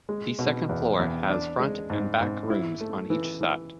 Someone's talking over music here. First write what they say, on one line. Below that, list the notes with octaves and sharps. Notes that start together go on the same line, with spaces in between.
The second floor has front and back rooms on each side.
G#3
B2
E2
E2
D4
G#3
G#2
G#2
E4
A3
E3
E3